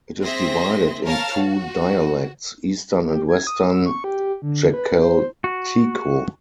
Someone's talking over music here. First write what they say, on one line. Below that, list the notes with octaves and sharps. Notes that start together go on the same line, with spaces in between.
It is divided in two dialects, Eastern and Western Jakalteko.
C4 G#4 E5 C6 A#6
A#4 C#5 F5 A5 F6
F#4
G4
G#6
D#6
E6
C#6
G4
D3
B4
C5
F#4